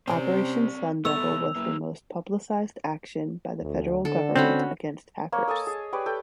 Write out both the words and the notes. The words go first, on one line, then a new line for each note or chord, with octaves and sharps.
Operation Sundevil was the most publicized action by the federal government against hackers.
C3 C4 C#4 C5 D5
C2 A3 B3 C#5 E6 F7
F#2 E3 A#3
D2
D3 A4
C4 C#4 F#4 B5
A#3 C#5
A4 D#5 G#5 A5
G#4
G4 B4 C#5 D5
A4 G5